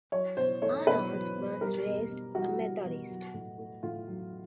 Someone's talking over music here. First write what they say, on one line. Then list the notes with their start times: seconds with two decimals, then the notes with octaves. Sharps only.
Arnold was raised a Methodist.
0.12 F#3 C#5
0.37 B2 C5
0.62 A3 C#5
0.87 B2 B4
1.12 F#3
1.37 B2
1.61 G3 A#4
1.85 B2
2.10 B2
2.35 G3 F#4
2.60 G3
2.84 B2
3.10 F#3
3.34 A2
3.58 A3
3.83 A2 F4
4.08 F#3